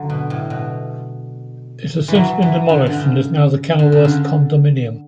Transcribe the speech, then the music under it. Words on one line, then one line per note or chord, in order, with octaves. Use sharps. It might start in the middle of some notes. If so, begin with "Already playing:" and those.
It has since been demolished and is now the Kenilworth Condominium.
Already playing: D3 F#3
B2
A2
B2
E3
F#3
E3
D3
D3
C#3
D3
C#3
D3